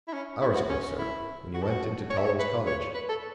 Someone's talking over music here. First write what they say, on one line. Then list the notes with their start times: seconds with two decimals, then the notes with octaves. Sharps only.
"Hours ago, sir--when you went into Toller's cottage."
0.08 E4
0.13 C#4
0.41 E4
0.55 F#4
0.69 C#4
0.98 E4
1.54 F#4
1.63 A4
1.70 F#4
2.10 C#5
2.17 E5
2.25 C#5
2.39 B4
2.67 C#5
2.95 B4
3.09 A4